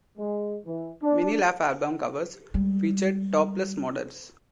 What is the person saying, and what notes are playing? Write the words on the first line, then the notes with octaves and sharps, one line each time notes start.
Many Laff album covers featured topless models.
G#3
E3
D4
G3 G#3